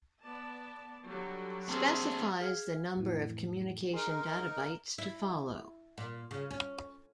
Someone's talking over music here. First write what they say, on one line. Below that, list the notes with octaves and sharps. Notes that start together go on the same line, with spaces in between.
Specifies the number of communication data bytes to follow.
B3 D5 A5
D3 F#3 G3
A#3 C4 D4 G#4
G#4 F5 G#5
F2 A2 E3
D#4 G#4 A#4 C6
E4
A#2
C#3
C#4